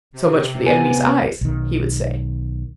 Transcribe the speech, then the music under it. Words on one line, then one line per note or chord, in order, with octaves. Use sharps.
So much for the enemy's eyes, he would say.
C3
B3 G#5
B1 D#3